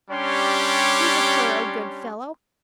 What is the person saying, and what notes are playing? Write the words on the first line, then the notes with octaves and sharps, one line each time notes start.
He's a thorough good fellow.
G3 C#4 D4 G4 C#5 C6